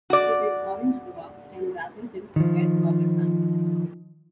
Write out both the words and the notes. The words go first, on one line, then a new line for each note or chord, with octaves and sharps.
It is an orange dwarf, and rather dim compared to our Sun.
F#4 D5
D#3 F3